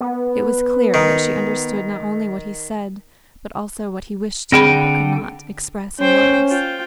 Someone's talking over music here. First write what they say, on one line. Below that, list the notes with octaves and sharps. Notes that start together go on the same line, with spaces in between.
It was clear that she understood not only what he said but also what he wished to, but could not, express in words.
B3
D#3
D3 C4 G#4 G5 B5
C#4 C5 G5
F4 G5